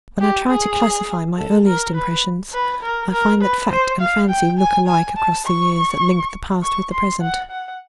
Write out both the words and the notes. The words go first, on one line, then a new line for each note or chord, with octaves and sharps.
When I try to classify my earliest impressions, I find that fact and fancy look alike across the years that link the past with the present.
G4
G#4
A4
A#4
B4
B4
A#4
A#4
B4
C5
F5
G5
G#5
G#5
A5
C#6
C#6
C6
F#5
F#5